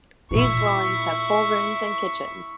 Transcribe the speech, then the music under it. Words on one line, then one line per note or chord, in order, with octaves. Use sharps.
These dwellings have full rooms and kitchens.
A#2 E4 F4 C#6